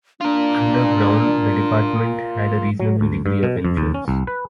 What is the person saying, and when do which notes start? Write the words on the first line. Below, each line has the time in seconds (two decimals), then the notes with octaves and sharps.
Under Brown the Department had a reasonable degree of influence.
0.21 D4 F4 A#4
2.80 F#3
3.01 D2
3.26 G2
3.43 B2
3.65 F2
3.77 D#2
3.94 C#4
4.08 C2
4.27 B4